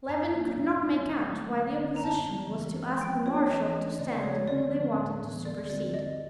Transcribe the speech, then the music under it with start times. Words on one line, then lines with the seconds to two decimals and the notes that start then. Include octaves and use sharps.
Levin could not make out why the opposition was to ask the marshal to stand whom they wanted to supersede.
0.09 F#2 A#5
0.33 D#3 F#3 A#3 D4
0.57 A#2
0.82 G3 C4
1.06 D#3
1.31 F#3 A3 C4
1.55 D3
1.79 G3 C4
1.96 A#5
2.04 F#2 A5
2.28 C#3 E3 G#3 B3
2.52 E3
2.77 G#3 C4
3.01 F3 G5
3.26 G#3 C#4 F4 C#5
3.50 E3 D#5
3.74 A3 C#4
3.99 C#3 D5
4.23 F3 A3 C#4 F#4 C#5
4.48 D3 D5
4.72 F3 G#3
4.96 A2
5.20 E3 G3 B3 D4
5.45 D3 D5
5.70 G3 C4 D#4 F#4 D5
5.94 F3 D#5